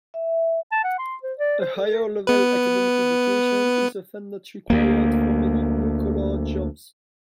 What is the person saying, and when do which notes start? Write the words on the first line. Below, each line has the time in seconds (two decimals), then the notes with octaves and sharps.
A higher level academic education is often not required for many blue-collar jobs.
0.14 E5
0.72 A5
0.84 F#5
0.99 C6
1.23 C5
1.38 D5
1.61 C5
1.76 A4
1.91 A#4
2.27 B3 B4
4.70 D2 A#3